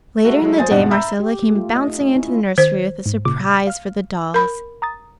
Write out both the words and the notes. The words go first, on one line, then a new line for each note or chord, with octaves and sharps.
Later in the day Marcella came bouncing into the nursery with a surprise for the dolls.
G#3 A3 F#4
F#3 G#3 A3
F#3 C5 G#5 D#6 A6
G#1 G2 B2 D#5 F#5
E5 A#5 B5 E6 G6
G4
A3
F4
D#5
D#4
C#4
E4
F4
D#3 C5 G#6 B6
G#2
A#2 C#3 D6
F5 F6
A#4 B5
A#5 D#6 A6